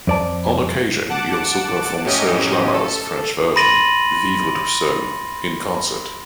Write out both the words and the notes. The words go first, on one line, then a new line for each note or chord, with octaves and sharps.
On occasion he also performed Serge Lama's French version, "Vivre tout seul", in concert.
F2 D5 A5
F#5 A5 D6
A2 F#3 C#4 G4 D#5 D#7
A4
B5 C6 A6 A#6 D#7 F#7